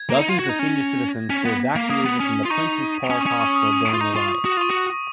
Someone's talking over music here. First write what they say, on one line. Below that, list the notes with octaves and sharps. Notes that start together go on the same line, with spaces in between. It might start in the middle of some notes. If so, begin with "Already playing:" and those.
Dozens of senior citizens were evacuated from the Princes Park Hospital during the riots.
Already playing: G#6
A#3
D#4
F4
F#4 A#6
D#4
C#4
C#4 B6
B3
A#3
A#3 D#6
B3
C#4
F4
D#4 C#6
C#4 D#6
C#6
C#4 D#6
C#6
D#6
F4
D#4
F4
D#6
F#4 D#6
F4 C#6
F#4